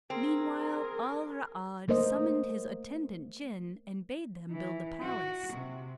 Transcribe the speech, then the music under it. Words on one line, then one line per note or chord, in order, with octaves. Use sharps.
Meanwhile, Al-Ra'ad summoned his attendant Jinn and bade them build the palace.
C4 G#4 A#4
A3 A#3 A#4 C5 D#5
E3
F#4
C3